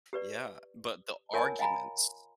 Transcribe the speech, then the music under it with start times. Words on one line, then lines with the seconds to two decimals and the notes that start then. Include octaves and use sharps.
Yeah, but the arguments
0.13 G4 B4 D5
1.33 F4 A#4 C#5 F#5 G#5 A5
1.59 D#5 F5 G5 G#5 A#5 B5